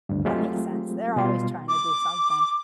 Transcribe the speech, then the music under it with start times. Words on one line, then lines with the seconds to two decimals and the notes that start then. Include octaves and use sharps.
That makes sense. They're always trying to do something.
0.09 D2 G2
0.25 F#3 G#3 A3 C4 F4 G4
1.16 B2 G3 F4 C6
1.69 D6